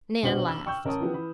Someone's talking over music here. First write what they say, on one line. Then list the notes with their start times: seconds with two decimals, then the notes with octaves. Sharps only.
Nan laughed.
0.23 A#1 B2 F#4 C5 F#7 G7
0.47 B5 D6 E6 F6
0.66 G5 C#6 E6 G6
0.84 A1 A#4 C#5 A5 D#6
1.00 E3 F3 B3 G4
1.13 E3 B5